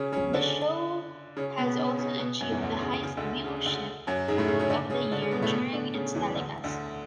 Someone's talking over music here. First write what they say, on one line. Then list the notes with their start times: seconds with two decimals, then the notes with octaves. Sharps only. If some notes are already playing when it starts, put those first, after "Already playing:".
The show has also achieved the highest viewership of the year during its telecast.
Already playing: C#3 C#4
0.12 C#3 C#4
0.33 D3 D4
1.37 C#3 C#4
1.58 B2 B3
1.78 C#3 C#4
1.99 C#3 C#4
2.20 B2 B3
2.41 F#2 F#3
2.51 E2 E3
2.62 D2 D3
2.82 C#3
3.03 C#3
3.17 D2 D3
3.44 C#3
3.66 D2 D3
4.07 F#2 F#3
4.28 G#2 G#3
4.38 A2 A3
4.48 C#3 C#4
4.59 C#3 C#4
4.70 D3 D4
4.90 C#3 C#4
5.11 D3 D4
5.22 C#3 C#4
5.31 B2 B3
5.42 A2 A3
5.52 B2 B3
5.73 D3 D4
5.94 C#3 C#4
6.15 E2 E3
6.36 D2 D3
6.64 D2 D3